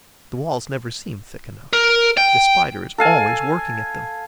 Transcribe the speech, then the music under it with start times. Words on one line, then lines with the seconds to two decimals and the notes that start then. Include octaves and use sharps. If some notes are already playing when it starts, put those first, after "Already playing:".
The walls never seem thick enough; the Spider is always working at them.
1.73 A#4
2.17 G5
2.98 A4 F5 G#5